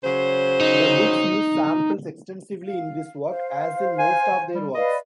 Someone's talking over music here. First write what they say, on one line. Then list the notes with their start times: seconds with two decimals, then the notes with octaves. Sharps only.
The Books use samples extensively in this work, as in most of their works.
0.03 C#3 F#3 C5
0.61 D#4
2.62 F5
3.29 C5 F5
3.99 G#5
4.55 G3
4.75 B4 D5 D#5 F5